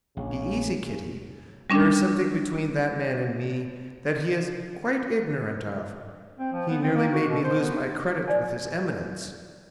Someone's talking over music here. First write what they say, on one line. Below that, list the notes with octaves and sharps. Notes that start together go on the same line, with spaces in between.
Be easy, Kitty, there is something between that man and me that he is quite ignorant of: he nearly made me lose my credit with his Eminence.
A#1 C#3
G3 C#4 D4
C4
F3
B3
C4
A#3
F#4
B2
C5
B3
D5 G#5